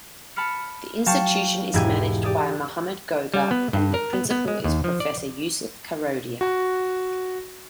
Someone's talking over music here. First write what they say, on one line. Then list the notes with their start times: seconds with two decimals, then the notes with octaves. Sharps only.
The institution is managed by Mohamed Goga and the principal is Prof. Yusuf Karodia.
0.36 A5 B5 F6 C#7
1.06 F#3 F5 G5 A5 C#6 G6
1.73 E1 G#2 E4 G4 G#6 D#7
2.23 G4 D5 D#6 G#6
3.34 G3
3.51 B3
3.73 G2
3.94 A#4
4.13 B3
4.31 B3
4.48 G#3
4.64 D#2
4.84 F3
5.00 D5
6.41 F#4